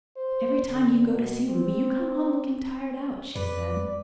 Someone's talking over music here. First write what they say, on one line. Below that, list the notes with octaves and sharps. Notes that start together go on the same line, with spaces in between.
"Every time you go to see Ruby you come home looking tired out," she said.
C5
D3
B2
C4
F2 B4 D5